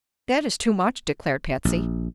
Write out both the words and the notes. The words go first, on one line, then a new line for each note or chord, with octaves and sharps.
"That is too much," declared Patsy.
A#1